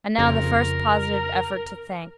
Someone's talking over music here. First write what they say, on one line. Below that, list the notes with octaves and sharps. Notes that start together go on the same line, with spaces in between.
And now the first positive effort to think.
F2 C#3 A#4